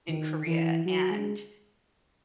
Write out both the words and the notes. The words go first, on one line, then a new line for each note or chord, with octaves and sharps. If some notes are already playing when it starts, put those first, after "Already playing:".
in Korea. And
D#3
E3
F#3
G#3